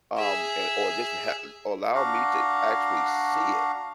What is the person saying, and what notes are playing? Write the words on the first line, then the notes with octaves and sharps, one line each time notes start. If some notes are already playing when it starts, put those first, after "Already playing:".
um, an or just ha allow me to actually see it,
G#4 E5
D4 F#4 F5 F#5 A#5